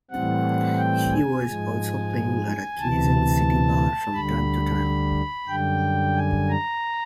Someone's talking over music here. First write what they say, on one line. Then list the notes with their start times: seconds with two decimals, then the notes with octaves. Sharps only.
He was also playing at a Quezon City bar from time to time.
0.10 A2 E3 G3 C4 F#5
0.78 G5
1.11 G#5
1.46 G#2 F3 G#3
2.79 D2 C3 E3 A5
4.14 D2 D3 G3 B5
5.48 F#2 D3 G3 G5
6.16 G#5
6.50 A#5